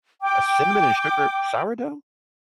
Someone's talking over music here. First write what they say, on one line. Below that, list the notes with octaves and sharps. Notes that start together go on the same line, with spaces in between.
a cinnamon and sugar sourdough?
G5 D6